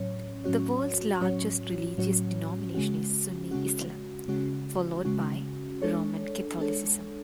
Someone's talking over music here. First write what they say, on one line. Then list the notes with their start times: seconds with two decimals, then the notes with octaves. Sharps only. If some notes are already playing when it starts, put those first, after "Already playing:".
The world's largest religious denomination is Sunni Islam, followed by Roman Catholicism.
Already playing: A2 F#3 C#4 C#5
0.44 A2 F#3 C#4 F#4 C#5
1.21 A2 F#3 C#4 F#4 C#5
1.98 A2 F#3 C#4 F#4 C#5
2.75 C#3 G#3 C#4 F#4
3.51 C#3 G#3 C#4 F#4
4.28 C#3 G#3 C#4 F#4
5.05 C#3 G#3 C#4 F#4
5.82 G#3 D4 A4 C#5
6.58 G#3 D4 A4 C#5